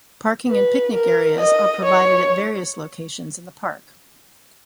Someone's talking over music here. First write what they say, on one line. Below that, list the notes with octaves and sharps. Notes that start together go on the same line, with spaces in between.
Parking and picnic areas are provided at various locations in the park.
B4
A#4
D#5
C#5